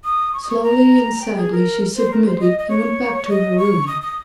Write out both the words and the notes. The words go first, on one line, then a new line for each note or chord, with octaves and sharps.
Slowly and sadly she submitted, and went back to her room.
D#6
C#6
D#6
C#6
A#5
G5
G#4
A#4
C5
A#4
C5
D#5
D#5
C#5
D#5
C#6
D#6
D#6